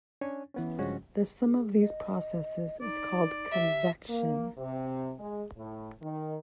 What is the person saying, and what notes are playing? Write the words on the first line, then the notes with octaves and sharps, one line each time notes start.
The sum of these processes is called convection.
C#4 D4 C#5 G#5
E3 B3 C#4
G2 C#3 F3 G#3 C#4 F#4
G#4
D#5
D#4 D5
G4 E5
A#3
C3
G#3
A2
D#3